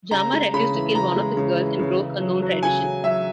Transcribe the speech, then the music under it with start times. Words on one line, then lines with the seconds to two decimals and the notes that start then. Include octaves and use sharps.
Jama refused to kill one of his girls and broke a known tradition.
0.11 C#3 A#5
0.33 G#3
0.54 C#3 B5
0.74 E3
0.95 C#3 A#5
1.16 G#3
1.37 C#3
1.58 E3
1.79 C#3
2.00 C#3
2.21 F#3
2.42 F#3
2.63 C#3 G#5
2.83 C#3
3.04 F#3 E5